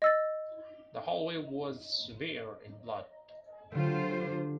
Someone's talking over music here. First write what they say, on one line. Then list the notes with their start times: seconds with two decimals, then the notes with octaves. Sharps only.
The hallway was smeared in blood.
0.02 D#5 E6 A6
3.72 D3 F#3 G3 A3 F4 C5
4.20 D4